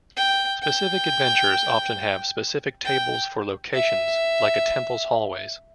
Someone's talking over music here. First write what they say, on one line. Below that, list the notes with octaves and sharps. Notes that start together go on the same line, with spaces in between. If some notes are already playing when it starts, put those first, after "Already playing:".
Specific adventures often have specific tables for locations, like a temple's hallways.
G5
G5
G5
E5